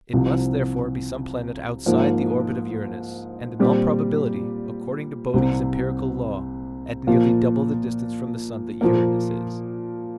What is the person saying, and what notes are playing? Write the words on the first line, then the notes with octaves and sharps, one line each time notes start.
It must, therefore, be some planet outside the orbit of Uranus, and in all probability, according to Bode's empirical law, at nearly double the distance from the sun that Uranus is.
C2 C3 F3
G#2 F3 A#3
A#2 G3 C4 G4
C2 C3 G3
A#2 F3 A#3 F4
A#2 F3 A#3